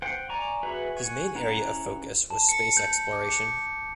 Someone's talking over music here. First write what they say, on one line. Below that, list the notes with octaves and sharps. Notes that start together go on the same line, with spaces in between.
His main area of focus was space exploration.
C5 F#5 G5
D5 G#5 A#5 C#6
F#4 G#4 B4 E5
F#5 G#5 C#6
C#4 E4 F#5 A#5
A5
C#7
G6
D6
C#7